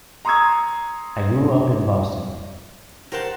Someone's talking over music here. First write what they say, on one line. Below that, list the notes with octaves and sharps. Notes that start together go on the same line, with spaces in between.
I grew up in Boston.
A#5 C6 C#6 D#6 E6 G#6
G4 A#4 C5 F#5 A5